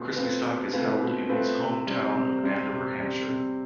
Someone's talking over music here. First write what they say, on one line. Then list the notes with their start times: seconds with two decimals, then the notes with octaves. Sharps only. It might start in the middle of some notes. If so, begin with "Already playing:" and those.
Crispystock is held in his home town of Andover, Hampshire.
Already playing: B2 A3 C4 F4 B4
0.16 A3 C4 F4 B4
0.45 B2
0.73 A3 C4 F4 B4
1.01 B2
1.29 A3 C4 F4 B4
1.59 C3
1.87 G3 C4
2.15 C3
2.43 G3 C4
2.72 C3
3.00 G3 C4
3.28 C3